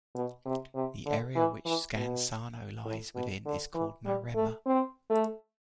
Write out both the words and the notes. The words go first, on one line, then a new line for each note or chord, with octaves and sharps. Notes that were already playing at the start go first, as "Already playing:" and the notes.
The area which Scansano lies within is called Maremma.
B2
C3
C3
D3
E3
E3
B2
A2
B2
D3
E3
G3
A3
C4
A3